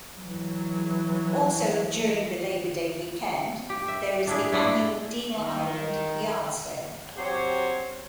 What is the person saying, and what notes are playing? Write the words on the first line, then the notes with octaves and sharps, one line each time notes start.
Also, during the Labor Day weekend, there is the annual Deal Island yard sale.
E3 F#3
G4
E5
D4 E4 G#4
B3 D4 E4
D#3
F#3 C4 G4 C5 C#5